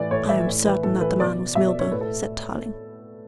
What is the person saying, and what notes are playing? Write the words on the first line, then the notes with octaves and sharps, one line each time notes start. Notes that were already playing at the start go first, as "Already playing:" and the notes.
"I am certain that the man was Milburgh," said Tarling.
Already playing: A2 E3 D5
A2 C#5
E3 E5
A2
E3 B4
A2 A4
E3 B4
B2 D5
B2 E5
D5
C#5
A2 B4
A4